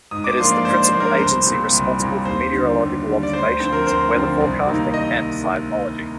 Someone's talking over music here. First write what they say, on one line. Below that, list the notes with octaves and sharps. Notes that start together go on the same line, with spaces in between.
It is the principal agency responsible for meteorological observations, weather forecasting and seismology.
G#2 D#6
D6
F3 A#3 D4 C6
D5
G#2 C5
C5
F3 A#3 D4
A#4
C2 C5
A#2 G3 C4
C2
A#2 G3 C4
D#2 C5
D3 G3
D#2
D3 G3
D5
D2 C5
D3 F3 C4 C5
A#4
D2 C5
D3 F3 C4
C2
C3 D#3 A#3 D#4
D#5